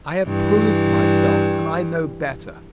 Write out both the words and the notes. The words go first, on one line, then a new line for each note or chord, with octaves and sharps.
I have proved myself, and I know better.
G2 E3